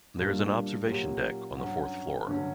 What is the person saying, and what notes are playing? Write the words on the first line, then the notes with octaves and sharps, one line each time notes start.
There is an observation deck on the fourth floor.
A#2 G3 A#3 D4
A#2 F#3 C#4 G4
G2 F#3 C#4 F#4
G2 D3 F#3 C#4 F#4